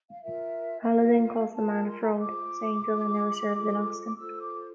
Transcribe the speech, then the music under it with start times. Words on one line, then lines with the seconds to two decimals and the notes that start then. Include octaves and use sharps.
Paladin calls the man a fraud, saying Dillon never served in Austin.
0.11 F5
0.23 F4 A#4 E5
0.81 E5
0.89 F4 A#4 F5
1.54 F4 A#4 A5
1.87 C6
2.02 A#5
2.10 C6
2.20 F4 C5 D6
2.86 F4 C5
3.52 F4 A4 C5
4.06 D6
4.17 F4 A4 C5 E6
4.40 D6